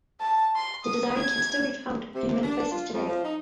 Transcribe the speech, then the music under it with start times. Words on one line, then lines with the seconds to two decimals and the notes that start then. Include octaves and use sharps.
The design can still be found in many places today.
0.20 A5
0.56 C6
0.85 D#6
1.18 G#6
2.14 C3
2.28 C3
2.42 D4
2.71 F4
2.92 F2
3.08 F3
3.24 D#4